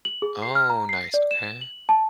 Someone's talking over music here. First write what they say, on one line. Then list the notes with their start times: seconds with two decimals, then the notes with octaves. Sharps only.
Oh, nice, okay.
0.05 F#7
0.22 G#4
0.42 C7
0.55 F6
0.70 A#5
0.89 C7
1.14 D5
1.31 E7
1.61 F#7
1.89 A5